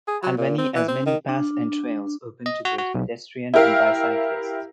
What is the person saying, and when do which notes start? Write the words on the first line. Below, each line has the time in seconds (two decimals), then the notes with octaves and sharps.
Albany has many paths and trails open to both pedestrian and bicyclists.
0.08 G#4
0.23 F#3
0.37 A#2
0.58 C4
0.75 E3
0.88 C4
1.06 D#3
1.29 D4
2.46 D#5
2.65 F#4
2.78 F#4
2.95 B1
3.54 E4 G4 A#4 E5 F5